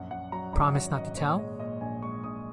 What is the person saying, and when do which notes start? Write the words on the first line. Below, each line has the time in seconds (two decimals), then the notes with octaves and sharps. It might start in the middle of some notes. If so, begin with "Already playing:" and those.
Promise not to tell?
Already playing: A#1 F#2 F#5
0.10 F#2 F#5
0.32 F#3 A#5
0.53 G#1 A#5
0.75 F#3 F#5
0.96 G#1 D#5
1.17 A#2 C#5
1.38 G#3 D#5
1.60 A#2 D#5
1.81 A#1 G#5
2.02 G#3 C#6
2.23 A#1 D#6